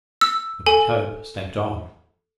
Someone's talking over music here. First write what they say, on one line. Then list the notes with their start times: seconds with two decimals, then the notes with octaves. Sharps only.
The White Hope slept on.
0.21 E6
0.66 A4 G#5